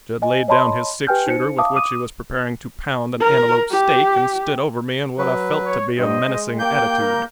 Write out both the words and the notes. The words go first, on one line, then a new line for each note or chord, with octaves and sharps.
Jud laid down his six-shooter, with which he was preparing to pound an antelope steak, and stood over me in what I felt to be a menacing attitude.
D#5 G#5
C#5 D#5 A5 B5 C6
G4 B4 G5 G#5 F6 G6
D#4 C5 C#7
E5 F5 A5 D6 D#6
D6 D#6 D#7
A#4
G4
F#3 B4
C#5
G2 G3 C5 D#5
G#3
A#3 G4 G5 G6
G3 A#4